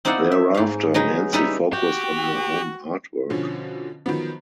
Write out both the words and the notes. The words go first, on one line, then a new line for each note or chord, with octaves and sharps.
Thereafter Nancy focused on her own artwork.
C4 D#4 E4 D5 F5 F#5
E5
G#2 F5
F#3 G#3 D#4 B4
G3 C#4 D#4 E4 B4 E5
F#4 G4 G5
B2 D3 F3 C#4
D#3 F3 F#3 B3